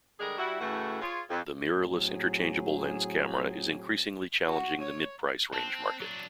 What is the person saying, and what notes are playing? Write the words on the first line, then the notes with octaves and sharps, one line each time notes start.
The mirrorless interchangeable-lens camera is increasingly challenging the mid price range market.
D3 G3 G#3 D4 G#4 A#4
G3 E4 F#4
A2 C#3 E3 A3 F#4
F4 G#4 C#5
F2
A2 F#3 C4 G#4
F#4
C#5
C4 A5 F#6
F#3 D4